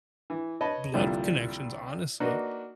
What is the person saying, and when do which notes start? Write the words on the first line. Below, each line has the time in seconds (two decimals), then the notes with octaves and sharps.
blood connections, honestly.
0.30 E3
0.61 B4 C#5 D#5 A5 B5
0.94 C2 G2 A#2 D3 F3 G3
2.20 A#3 D4 D#4 F#4 B4